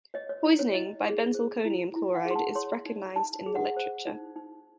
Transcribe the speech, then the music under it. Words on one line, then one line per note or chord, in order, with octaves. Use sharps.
Poisoning by benzalkonium chloride is recognised in the literature.
C#5 D#5
C#5
E4
C#5
E4 D#5
G#4
C5
E4
E4
F#5
G#4
C6
A5
C#5 C6
D#4
D#4 A5
G#4
F#5
C5
D#4
D#4